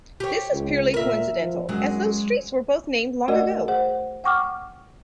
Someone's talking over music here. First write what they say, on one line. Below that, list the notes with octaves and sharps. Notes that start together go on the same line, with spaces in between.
This is purely coincidental, as those streets were both named long ago.
G4 C#5
C#2
A#2 A#4 E5
F3
F#2 F#3 G#3
A3 F#4 A#4 D5 D#5 F#5
G#4 C5 F#5
F#5 G5 C#6 D6 F6